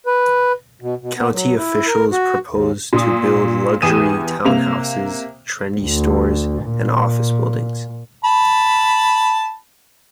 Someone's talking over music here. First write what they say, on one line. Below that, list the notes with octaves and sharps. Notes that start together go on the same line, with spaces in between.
County officials propose to build luxury townhouses, trendy stores, and office buildings.
B4
B2
B2
B3
F#3
E4
A#4
F#4
D#2
A#2 D#6
E2 G4 G#5 D#6 D#7 E7
C3 A#3 F7
D2
A#2
A5 B5